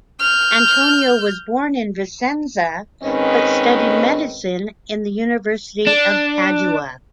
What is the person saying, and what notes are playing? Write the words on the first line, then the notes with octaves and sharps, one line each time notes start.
Antonio was born in Vicenza but studied medicine in the University of Padua.
F6 G6
G#2 D#3 C4 C#4 B4 D#5
D4